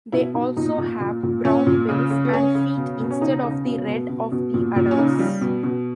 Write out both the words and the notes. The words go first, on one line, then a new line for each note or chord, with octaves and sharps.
They also have brown bills and feet instead of the red of the adults.
B2 E4
B2 D#4
A#2 D#4
A#2
A#2
A#2
A#2 C#4
A#2
C#3
C#3
B3
C#3 C#4
C#3
B2
B2
C#4
C#3 D#4
C#3
B2
B2
B2
B2
A#2
A#2
C#4
C#3 D#4
G3
B2
B2